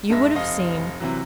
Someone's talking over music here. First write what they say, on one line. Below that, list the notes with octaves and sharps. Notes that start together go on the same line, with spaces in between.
You would have seen!
G2 G#3 E5 A#6
F1 D#5 F5
C3 E3 F#3